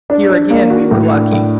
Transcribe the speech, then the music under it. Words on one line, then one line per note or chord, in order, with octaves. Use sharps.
Here, again, we were lucky.
D4
D4
A#3
F#4
A2
D4
A2